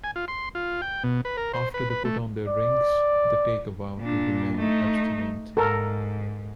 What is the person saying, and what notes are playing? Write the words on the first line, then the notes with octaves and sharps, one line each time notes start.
After they put on their rings, they take a vow to remain abstinent.
G#5
F4
C6
F4
G5
B2
B4
A#4
C5
B4
B4
A3
D5
A#2 D4
A3 D#4
G#2 A4 A#4